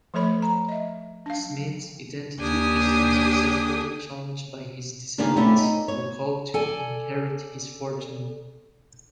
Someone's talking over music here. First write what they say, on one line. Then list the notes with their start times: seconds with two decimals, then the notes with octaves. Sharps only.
Smith's identity is unsuccessfully challenged by his descendants, who hope to inherit his fortune.
0.14 F3 A3 A4 C#5 B5
0.42 A#5
0.68 D#5 E5
1.26 D4 F5
2.40 D#2 D4 G4 G#5 D#6
5.18 D#3 A#3 D4 F4 G4 G#4
5.36 A3 C4 C#4 E4 F4 G4
5.57 D#4
5.88 C#5
6.54 A4 D5 G#5